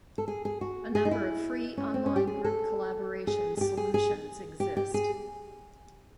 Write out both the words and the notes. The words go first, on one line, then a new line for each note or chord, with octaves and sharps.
A number of free online group collaborations solutions exist.
A4
G#4
G#4
F#4
G#4
D#4
E4
C#4
C4
C#4
G4
G#4
A4
G#4
G#4
G4
G#4
G#4
G4
G4
G#4